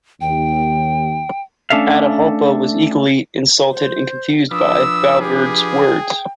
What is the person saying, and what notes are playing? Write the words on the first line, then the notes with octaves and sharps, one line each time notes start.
Atahualpa was equally insulted and confused by Valverde's words.
D#2 G5
A3 C#4 D4 A4 E5 F5
C5
F3 D4 B4 D#6 E6
G4 G#4
G5